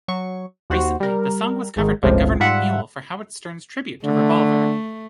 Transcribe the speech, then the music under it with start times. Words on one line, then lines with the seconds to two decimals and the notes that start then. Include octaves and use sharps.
Recently, the song was covered by Gov't Mule for Howard Stern's tribute to Revolver.
0.08 F#3 C#6
0.70 D#2 F#4 C5
1.00 G3 A#4
1.76 G#1 G#2 D#3
2.03 G1 C#2 A2 C3 F3
2.40 G#2 G3 F4 E5 F#5
4.04 D3 A3